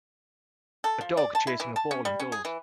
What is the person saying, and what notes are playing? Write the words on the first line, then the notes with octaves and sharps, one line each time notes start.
A dog chasing a ball indoors.
A4
F3
D5
A5
E4
E3
A5
C#4
G3
C#4
G#4
E3